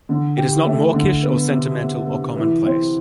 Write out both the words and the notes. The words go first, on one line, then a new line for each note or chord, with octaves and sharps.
It is not mawkish or sentimental or commonplace.
D3
G4
A3
D3
B3
C3
C3
C3
E3
C4